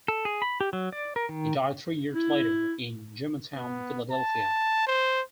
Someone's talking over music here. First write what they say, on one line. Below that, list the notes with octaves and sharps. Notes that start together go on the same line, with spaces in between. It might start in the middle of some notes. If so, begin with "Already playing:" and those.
He died three years later in Germantown, Philadelphia.
A4
G#4
B5
G4
F#3
D5
A#4
D#3
E4
B3
A5
C5